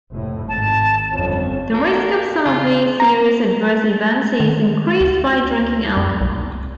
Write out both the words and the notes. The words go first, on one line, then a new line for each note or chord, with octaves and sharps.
The risk of some of these serious adverse events is increased by drinking alcohol.
F1 A2
G#1 A5
G1 F2 C#4
A#3 A4
C#3 F4
A#5
D#3
D2
F#2
C2